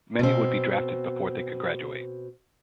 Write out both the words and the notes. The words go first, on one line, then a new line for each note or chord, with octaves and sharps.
Many would be drafted before they could graduate.
B2 C4